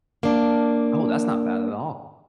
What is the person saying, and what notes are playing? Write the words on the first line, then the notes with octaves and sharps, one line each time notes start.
Oh, that's not bad at all.
A#3 D4